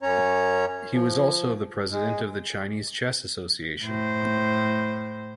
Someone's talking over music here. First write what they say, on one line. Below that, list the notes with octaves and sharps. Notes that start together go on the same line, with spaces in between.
He was also the President of the Chinese Chess Association.
F#2 C#4 C#5 A#5
F3
G#3
A2 C5